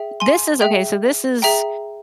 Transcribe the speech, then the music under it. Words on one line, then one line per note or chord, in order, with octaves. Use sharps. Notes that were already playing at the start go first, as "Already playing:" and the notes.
this is okay, so, this is
Already playing: G#4 E5 G5
G#5 C6
G#4 E5 G5
G#4 E5 G5 A#5